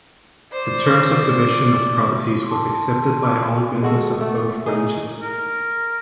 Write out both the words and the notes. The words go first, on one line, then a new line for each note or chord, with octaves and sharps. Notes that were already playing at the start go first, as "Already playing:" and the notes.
The terms of division of properties was accepted by all members of both branches.
C5 D5
A5 C6
G#3 F#4 A4
A3
D#4 G#4
A#4